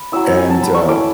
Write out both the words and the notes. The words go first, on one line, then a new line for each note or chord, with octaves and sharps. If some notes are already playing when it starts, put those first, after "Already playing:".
and, uh,
Already playing: B5
F#3 C#4 E4 E6
G#5
A5
B5
C#6
A3 C#4 E4 D6